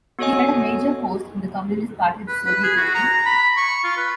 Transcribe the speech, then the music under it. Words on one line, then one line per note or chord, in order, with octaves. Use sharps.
He had a major post in the Communist Party of the Soviet Union.
B3 F#4 A4 C#5 D#5 G#5
B4
B4
G#4
F#4
A#5
B5
C#6
F4
B4